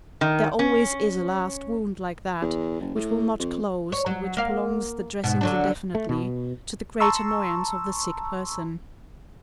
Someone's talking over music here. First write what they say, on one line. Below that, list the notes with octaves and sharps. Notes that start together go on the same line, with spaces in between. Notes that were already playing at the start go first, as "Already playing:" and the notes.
There always is a last wound like that which will not close, and which prolongs the dressings indefinitely, to the great annoyance of the sick person.
D#3
C#4
E2
F#1
A2
F2
C#5
F#3
A#3 F5
G#2 B2
D3 F#3 D4
A3
B2
A5 A#5 C6 C#6 E6